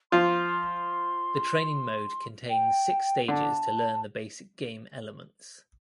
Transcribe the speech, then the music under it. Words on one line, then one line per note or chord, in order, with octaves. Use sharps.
The training mode contains six stages to learn the basic game elements.
F3 F4 C6
G5
D3 D4 A5